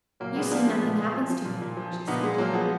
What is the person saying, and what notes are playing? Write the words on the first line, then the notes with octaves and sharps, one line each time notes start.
"You see nothing happens to me," she said.
A#2 F#3 A#3
A#2 G#3 B3
F3 A#3 D4
F3 G#3 B3
A#2
A#2
F3
F3
A#2
A#2
F3
F3
A#2 B3 D#4
A#2 G#3
F3 F#3 A#3
F3 G#3 B3